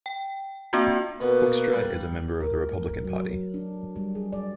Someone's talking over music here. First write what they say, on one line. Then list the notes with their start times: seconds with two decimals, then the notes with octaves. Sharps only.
Hoekstra is a member of the Republican Party.
0.06 G5
0.73 A#3 C4 D4 F4 F#4
1.21 B2 A#3 B4
1.73 G3
2.40 A#4
2.71 A3
3.05 F#3
3.54 D4
3.96 G3
4.15 G#4
4.32 D5